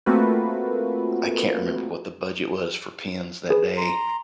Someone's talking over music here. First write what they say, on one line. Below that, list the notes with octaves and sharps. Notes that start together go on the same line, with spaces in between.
I can't remember what the budget was for pins that day
A3 A#3 C4 F4 F#4 B4
G#4 B4
A#5 C6